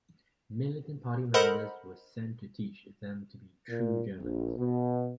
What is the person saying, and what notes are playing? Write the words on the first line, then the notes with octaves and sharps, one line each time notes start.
Militant party members were sent to teach them to be "true Germans".
A4 A#4 C5 D#5 F#5 B5
A#2
A#1
B2